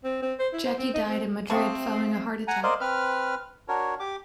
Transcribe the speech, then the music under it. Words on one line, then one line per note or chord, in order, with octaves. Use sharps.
Jaki died in Madrid following a heart attack.
C4
C4
C5
E4
C5
C4
D#4
C4
C3 C4 E5 F5 A5 C#6 D#6
F#5 G#5 A#5
A#4 C5 D5 D#5 F5
C4 B4 F6
D4 F#4 A#4 C#5
G4 D6